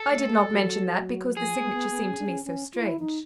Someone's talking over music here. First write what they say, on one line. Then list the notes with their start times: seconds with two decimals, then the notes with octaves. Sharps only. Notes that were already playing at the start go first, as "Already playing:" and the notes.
"I did not mention that, because the signature seemed to me so strange."
Already playing: A4
0.11 A3
0.28 G#3
0.47 G3
0.53 F#3
0.62 F3
0.68 F#3
1.37 F3 G#4
1.55 B3
1.73 B3
1.90 B3
2.09 C#4
2.19 D4
2.27 C#4
2.45 C#4
2.74 F4
2.82 E4
2.99 D#4